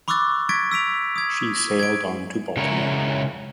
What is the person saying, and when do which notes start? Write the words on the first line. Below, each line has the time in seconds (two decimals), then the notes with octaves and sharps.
She sailed on to Baltimore.
0.08 B5 C#6 D6 E6 F#6 A6
0.49 C#6 G#6 A6 B6 D7
0.71 E6 B6 D7 F7
1.16 D#6 G#6
1.79 G#6 D7
2.57 C#3 F#3 G#3 E4 A#4 C#5